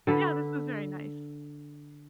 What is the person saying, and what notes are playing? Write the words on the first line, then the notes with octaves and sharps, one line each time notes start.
Yeah, this was very nice.
D3 A4 B4